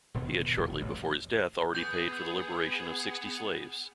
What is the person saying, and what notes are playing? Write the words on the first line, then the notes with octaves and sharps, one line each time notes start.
He had shortly before his death already paid for the liberation of sixty slaves.
E1 B2 D#3 B3
F#1 E2 A#2 G3
A1 F#2
B3 G#4 G6